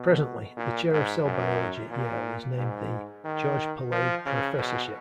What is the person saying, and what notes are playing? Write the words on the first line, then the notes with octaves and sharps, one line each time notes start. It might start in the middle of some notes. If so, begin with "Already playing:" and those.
Presently, the Chair of Cell Biology at Yale is named the "George Palade Professorship".
Already playing: B2
A#2
G#2
F#2
A#2
G#2
D#3
F3
C#3
B2